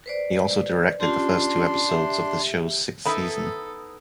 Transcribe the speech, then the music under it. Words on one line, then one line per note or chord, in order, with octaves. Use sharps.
He also directed the first two episodes of the show's sixth season.
B4 C5 D5
C#4 D4 F4 G4 C6
G4 E5
D#3 B3 D#4 E4 A4 B5